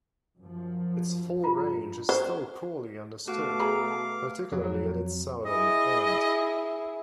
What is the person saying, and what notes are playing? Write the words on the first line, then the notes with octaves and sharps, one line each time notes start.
Its full range is still poorly understood, particularly at its southern end.
F#2 F3
G2 F4 A#5 B5
C5
B2 A3 F#4 F5 D6
G#4 A#5
F2 F#3
E4 G#4 D#5